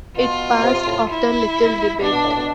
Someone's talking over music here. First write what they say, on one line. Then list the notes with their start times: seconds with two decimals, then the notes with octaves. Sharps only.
It passed after little debate.
0.17 B2 F4
0.63 C3
0.74 C3
0.86 A2
1.09 E4
2.01 B2 D4
2.12 B2
2.24 A2
2.35 B2